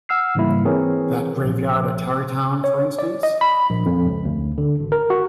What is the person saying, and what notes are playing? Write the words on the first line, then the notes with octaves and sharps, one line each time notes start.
That graveyard at Tarrytown, for instance.
F#5 E6 F6 C7
G#2 C#3 E3 G3 A#3 E4
E3 C4 G#4 A#4 C#5
A#1
C#5
D5
D#5
B5
A#1
F2
C#2
D2
D3
G#1
A#4
F#4